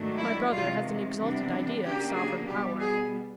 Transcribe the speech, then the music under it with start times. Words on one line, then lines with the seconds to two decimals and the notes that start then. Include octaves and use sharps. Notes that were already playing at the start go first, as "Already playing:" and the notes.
My brother has an exalted idea of sovereign power.
Already playing: G#2 D#3 F#3 A3 D4
0.18 E4
0.51 E2 C3 D#3 G#3 F4
1.16 C3 E3 G3 B3 D4
1.81 C#3 F#3 A#3 D4 G4
2.14 G#4
2.46 B2 G3 B3 G4
2.79 G#4